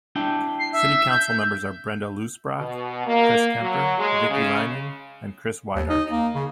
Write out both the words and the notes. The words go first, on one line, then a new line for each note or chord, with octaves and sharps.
City council members are Brenda Loosbrock, Chris Kemper, Vickie Leinen, and Kris Weidert.
D4 E4 G5
C7
E5
G6
B2
A#3
F#3
G#3
C#3
D#2
D#4
A#3
C#3